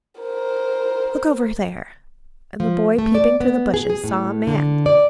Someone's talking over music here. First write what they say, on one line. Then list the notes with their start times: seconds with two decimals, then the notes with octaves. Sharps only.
Look over there!' And the boy, peeping through the bushes, saw a man.
0.20 A#4 C5
2.60 F3
2.98 A3
3.15 D5
3.40 B3
3.74 G#4
3.90 G#4
4.04 A2
4.47 D3
4.86 D5